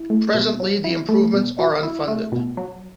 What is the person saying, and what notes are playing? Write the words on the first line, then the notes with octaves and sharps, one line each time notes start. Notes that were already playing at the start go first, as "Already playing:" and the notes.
Presently the improvements are unfunded.
Already playing: E4
A3
B2
F#3
E4
A3
B2
F#3
E4
A3
B2
F#3